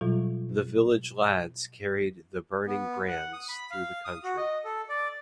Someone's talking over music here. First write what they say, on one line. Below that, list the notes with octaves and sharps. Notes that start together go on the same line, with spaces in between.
The village lads carried the burning brands through the country.
B2 F#3 G3 F4
B3
F#5
D#6
B5
F5
D#6
F#4
D#5
A4
D5